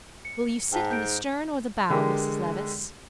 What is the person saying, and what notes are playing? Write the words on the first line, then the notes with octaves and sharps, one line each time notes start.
"Will you sit in the stern or the bow, Mrs. Levice?"
C#7
G#2 G5 A5 B6
G6 D7
D3 G#3 G4 A#4